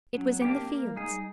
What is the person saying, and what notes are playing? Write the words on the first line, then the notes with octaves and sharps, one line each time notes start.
It was in the fields.
F#3 C#4
C4
A#3 C4 D4 G4
C4
A#3
G3
G#3 D#4 G#4
G3